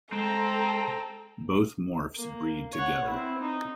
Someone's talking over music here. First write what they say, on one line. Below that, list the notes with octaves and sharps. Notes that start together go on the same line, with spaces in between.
Both morphs breed together.
G#3 C4 A4 A#5
A#3
C#5 F#5
C4 E4
D#4